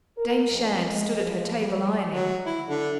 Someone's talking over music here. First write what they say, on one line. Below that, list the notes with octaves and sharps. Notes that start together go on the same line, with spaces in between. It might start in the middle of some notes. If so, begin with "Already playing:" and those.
Dame Shand stood at her table ironing.
A#4
F2
G#3
F3
G3
F#3
E4
D3